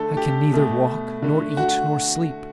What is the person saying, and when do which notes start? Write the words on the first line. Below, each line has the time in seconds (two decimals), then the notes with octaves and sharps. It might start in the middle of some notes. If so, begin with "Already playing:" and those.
I can neither walk, nor eat, nor sleep.
Already playing: D3 A3 A4
0.17 G4
0.53 B2 A3
1.22 D3 A3
1.57 F#4